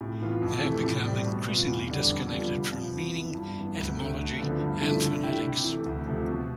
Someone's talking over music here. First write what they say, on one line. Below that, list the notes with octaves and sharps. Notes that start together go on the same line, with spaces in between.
They have become increasingly disconnected from meaning, etymology and phonetics.
A2
E3 B3 F4
F2
C3 E3 A3
A2
G3 C4
B2
B3 F4
E2
D3 G3 B3 D4
F2
D3 G3 B3 F4
C3
F3 B3 F4
F2
E3 B3 E4
G2
E3 B3
D2
D3 A3
D2
D3 F3 B3
G2
D3 F3 A3 E4
D3
A3 E4 G4
C3
E3 A3
D2
C3 F3 A3
B2